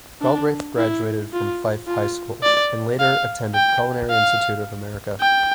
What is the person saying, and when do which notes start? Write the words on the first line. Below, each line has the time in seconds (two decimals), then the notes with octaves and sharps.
Galbraith graduated from Fife High School and later attended Culinary Institute of America.
0.21 D4
0.77 E4
1.33 F4
1.87 F4
2.43 D5
2.99 F5
3.55 G5
4.10 F5
5.21 G5